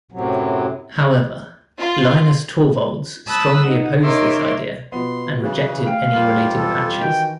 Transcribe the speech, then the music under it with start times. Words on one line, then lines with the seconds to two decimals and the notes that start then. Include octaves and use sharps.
However, Linus Torvalds strongly opposed this idea and rejected any related patches.
0.12 F#2 A2 C3 F#3
1.79 F4
3.27 A5 B5 D#6 E6 F#6
3.64 D#4 F#5
4.01 D#4 A#4 C#5 E5 C6 D6
4.92 B2 F3 B3 C6
5.42 C#3 E3 F#3
5.84 A3 F5 G5 D7
6.13 F2 G3 F4 A#4 F6 F#7
6.55 E1 E3 A4
7.01 D#3 E3 F#4 G5